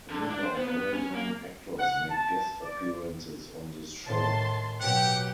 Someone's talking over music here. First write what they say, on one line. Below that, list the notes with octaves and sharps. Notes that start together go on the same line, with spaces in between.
A number of well-known actors made guest appearances on this show.
D3
D4
C5
B3
B3
C#4
A#3
F#5
A5
D5
A2 D#3 A5 C6
B2 F#3 G4 F#5